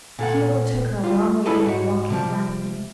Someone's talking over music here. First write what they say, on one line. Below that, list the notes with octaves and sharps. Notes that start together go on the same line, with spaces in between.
He overtook her a long way in, walking rapidly.
A#2 A4 F#5
G3 F4
E4 G#4 A4 B4 D5 D#5
G#2 F#4 C#5
C3 F3 G3